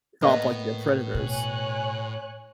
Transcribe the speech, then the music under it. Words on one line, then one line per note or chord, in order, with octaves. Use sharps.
drop, like, their predators.
A2 A#3 B3 D#5
B2 C#5 G#5 F#6